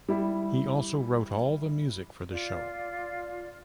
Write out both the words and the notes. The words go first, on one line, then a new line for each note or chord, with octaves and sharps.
He also wrote all the music for the show.
G3 E4
F4 D5